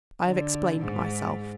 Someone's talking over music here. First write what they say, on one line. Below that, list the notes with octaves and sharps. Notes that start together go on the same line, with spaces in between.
I have explained myself.
D3
G#2